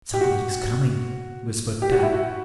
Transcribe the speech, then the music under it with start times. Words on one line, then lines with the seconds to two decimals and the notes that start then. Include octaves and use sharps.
"Somebody is coming," whispered Tad.
0.14 G4
0.21 F#4
1.82 G4
1.92 F#4
2.02 E4
2.14 F#4